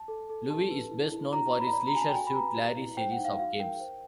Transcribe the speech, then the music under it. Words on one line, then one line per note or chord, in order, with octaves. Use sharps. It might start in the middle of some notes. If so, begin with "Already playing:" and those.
Lowe is best known for his "Leisure Suit Larry" series of games.
Already playing: A5
A4
A4
G4 A5
B4
E4
E4
F#4 A#5
A#5
C#5
B5
A#5
D5 B5
A#5
F#4 G#5
A5
G5
F#4 G#5
B5
B4 A#5
G4
E4
C5 G5
F#5
D#4
F5
F#4 F5
A#4 G5
C5